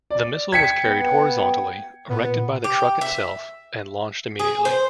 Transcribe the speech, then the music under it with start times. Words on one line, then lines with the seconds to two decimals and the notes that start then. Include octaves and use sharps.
The missile was carried horizontally, erected by the truck itself, and launched immediately.
0.10 D5
0.52 G5 G#6 B6 C#7
0.84 B3
2.09 A#2 B3
2.64 G4
3.01 E5
4.39 G#4
4.65 C5